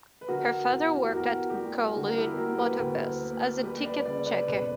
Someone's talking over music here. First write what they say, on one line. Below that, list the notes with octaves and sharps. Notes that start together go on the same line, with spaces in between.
Her father worked at Kowloon Motor Bus as a ticket checker.
B4
D3 F#4 A#4
E2
G4
E2 F#4 A#4
G4
G3 F#4
D3 F#4
A#4
E4 G4
A#3 F#4 A#4
G4 B4
D2
A#3
G3 G4 B4
B4 D5
C#3 B4 D5
B4 D5
E1 B4 D5
B4